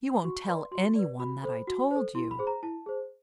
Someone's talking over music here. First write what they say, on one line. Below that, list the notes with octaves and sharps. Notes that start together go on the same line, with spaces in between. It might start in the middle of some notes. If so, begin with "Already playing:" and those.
"You won't tell any one that I told you?"
F#4 C#6
B5
B4 D5 C6
F#4 C6
B4 D5
F#4 B5
A4 C5
F#4
A4 C5
E4 C6
B5
G#4 C5
A#5
E4 A5
G#4 C5